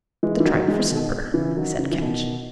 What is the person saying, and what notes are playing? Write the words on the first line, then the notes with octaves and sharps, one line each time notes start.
"The tripe for supper," said Ketch.
E3 G#3
E3
D#3 F#3
E3 G#3
B2 D#3
C#3 E3
D#3 F#3
C#3 E3
E3
B2 D#3